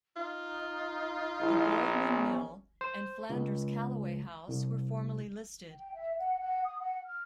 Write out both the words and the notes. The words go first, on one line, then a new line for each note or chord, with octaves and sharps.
The Borgmann Mill and Flanders Callaway House were formerly listed.
D#4 F4
A#1 E4
B3 C#4
C5
C#2
C2
G5
E5
F#5
F#5
D#6
F#5
F6